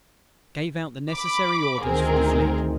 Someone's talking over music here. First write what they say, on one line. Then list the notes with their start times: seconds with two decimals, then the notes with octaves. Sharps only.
Gave out the necessary orders for the Fleet.
1.12 B5 D6
1.83 D2 D#3 C4 G#4 A#4